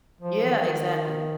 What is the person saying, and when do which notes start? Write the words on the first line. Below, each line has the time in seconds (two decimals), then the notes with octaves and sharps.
Yeah, exactly.
0.22 F3
0.45 F3
0.49 D#3